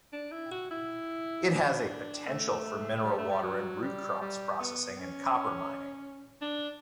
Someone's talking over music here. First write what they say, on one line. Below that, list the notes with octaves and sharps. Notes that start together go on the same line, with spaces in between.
It has a potential for mineral water and root crops processing and copper mining.
D4
E4
F#4
E4
D4
A3
A3
G3
A3
G3
F#3
G3
G3
B3
C#4
D4